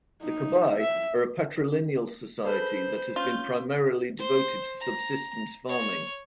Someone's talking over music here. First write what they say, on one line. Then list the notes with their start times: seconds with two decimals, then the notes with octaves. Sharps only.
The Kabye are a patrilineal society that has been primarily devoted to subsistence farming.
0.23 D#4
0.79 E5
2.44 G#4 A4 B4 C5 B5 G6
3.16 C#4 F4 G6
4.18 C5
4.81 A#5
5.69 C#5